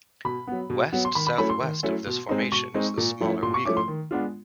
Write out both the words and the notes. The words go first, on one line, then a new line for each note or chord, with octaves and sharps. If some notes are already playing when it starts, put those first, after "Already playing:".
West-southwest of this formation is the smaller Weigel.
B2 B5
F#3 B3
B2
F#3 B3
C6
D#3 B5
B5
F#3 A3 C#4 E4 B5
C6
D#3
F#3 A3 C#4 E4
B2
G#3 C4 D#4
B2 C#6
G#3 C4 D#4
A#2
F3 A3 C#4 E4
A#2 C6
C#6
F3 A3 C#4 E4 D6
C6
D#3
G#3 B3 D4 F4